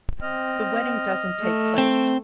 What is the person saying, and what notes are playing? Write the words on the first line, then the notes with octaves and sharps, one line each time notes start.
The wedding doesn't take place.
C4 D#5 F6
A3
C4